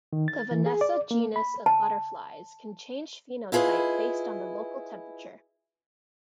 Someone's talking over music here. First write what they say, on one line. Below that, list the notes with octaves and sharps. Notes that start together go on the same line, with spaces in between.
The "Vanessa" genus of butterflies can change phenotype based on the local temperature.
D#3
A6
E3
G#4
D5
A#3
B5
A5
E4 F4 G#4 A#4 B4 D#5